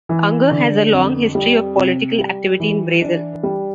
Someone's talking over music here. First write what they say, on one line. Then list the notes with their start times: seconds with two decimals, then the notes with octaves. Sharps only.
Unger has a long history of political activity in Brazil.
0.09 E3
0.51 D3
0.92 F2
1.35 G3
1.76 C3
2.18 G3
2.60 E3
3.02 D4
3.43 G3